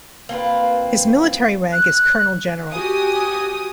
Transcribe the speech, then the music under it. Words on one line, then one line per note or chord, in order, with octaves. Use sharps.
His Military rank is Colonel-General.
A#3 C4 F4 B4
F#6
F#4 G4 G#5 D#6